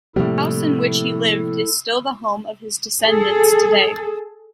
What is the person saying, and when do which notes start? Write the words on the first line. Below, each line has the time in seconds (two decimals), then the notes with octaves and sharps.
The house in which he lived is still the home of his descendants today.
0.16 A2 C3 F3 G3 A#3 E4 A4
3.02 G#4 A4